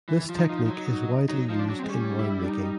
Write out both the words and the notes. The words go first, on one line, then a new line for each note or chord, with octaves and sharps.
This technique is widely used in wine making.
E3
F3
D#4
F3
F3
F#3
F#3 D#4
F3
D4
F#3
G#3 C4
G3 C#4
E4
D4
D#4